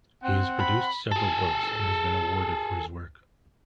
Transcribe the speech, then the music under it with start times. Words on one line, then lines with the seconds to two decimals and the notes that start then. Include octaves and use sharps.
He has produced several books and has been awarded for his work.
0.22 C4 F#5
0.59 B5
1.11 G#4 A4